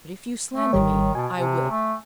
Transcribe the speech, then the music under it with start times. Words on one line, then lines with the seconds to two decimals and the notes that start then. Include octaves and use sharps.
But if you slander me, I will.
0.55 A3
0.73 G#1 D#3 G3 C#5
1.15 B2 G#5 A5
1.34 C3
1.70 A3